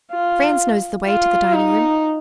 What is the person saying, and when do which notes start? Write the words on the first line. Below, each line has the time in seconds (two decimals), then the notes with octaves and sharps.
Franz knows the way to the dining-room.
0.12 F4
1.06 F4
1.54 D#4